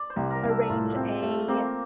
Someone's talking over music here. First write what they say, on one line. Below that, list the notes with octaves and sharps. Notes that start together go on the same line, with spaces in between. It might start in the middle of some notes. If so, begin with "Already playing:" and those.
arrange a,
Already playing: D5
C5
C2
A#4
C2
A4
A2 F4
C4
A3
A#3 C4